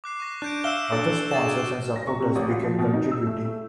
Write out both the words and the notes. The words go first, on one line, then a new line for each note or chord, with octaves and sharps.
Other sponsors and supporters began contributing.
D6 F#6 C7
C#6 A#6
D4 F#6 G6 D7
E5 F5 E6 E7 G7
D4 A4
D4 G#4 C#6 A6 E7
A#6
C#6
C3
A1
F4
F3
B2
D#4
E6
A3
A3